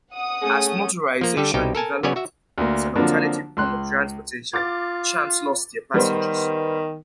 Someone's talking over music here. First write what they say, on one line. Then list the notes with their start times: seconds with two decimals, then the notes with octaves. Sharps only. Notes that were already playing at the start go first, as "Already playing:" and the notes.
As motorization developed as an alternative form of transportation, trams lost their passengers.
0.12 F#5 D#6
0.42 A3 C#4 G#4
1.21 F3 A#3
1.37 D3 G3 G4 A4
1.54 C2 B2 D#4 G4 G5
1.75 A4 A#4 G#5 A5
2.03 C#3 F#3 B3 C#5 D5 G#5
2.16 F#4 E5
2.58 D2 A#3
2.95 D3 F3 F#3 A#3 C4 D4
3.57 C#2 C6 F#6
4.54 F4 D6 A6
5.94 D#3 G3 B3 C5